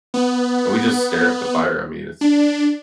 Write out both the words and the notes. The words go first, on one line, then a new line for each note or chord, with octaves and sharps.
and we just stare at the fire, I mean, it's
B3
D4